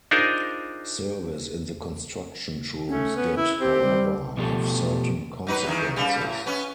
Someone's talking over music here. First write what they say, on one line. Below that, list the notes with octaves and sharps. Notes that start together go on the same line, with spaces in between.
Service in the construction troops did, however, have certain consequences.
D4 D#4 F4 G#4 A#4 C5
A3 C#4
B3
E4
C4 G4
G3
B2 F3 A3 F#4 G4 A4
F#3 D#4 B4
E2 D3 D#3
C#3 G3
A2
B3 C#4